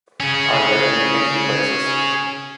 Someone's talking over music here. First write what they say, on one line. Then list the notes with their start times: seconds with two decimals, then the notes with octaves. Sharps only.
Are there any empty places?
0.20 C#4 G#4